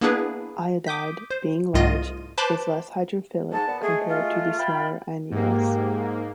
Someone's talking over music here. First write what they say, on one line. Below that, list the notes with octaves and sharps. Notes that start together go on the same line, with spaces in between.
Iodide, being large, is less hydrophilic compared to the smaller anions.
A#3 B3 D4 E4 G#4 B4
D6 D#6 G6 B6
C5
C2 G#2 A3 F4 D#5 D#7
B4 C5 A5 B5 C6 D6
G#2 A5
A#2 B3
G#3 A3 G#4
F4
E5 G5 B5
G#2 A#3 G4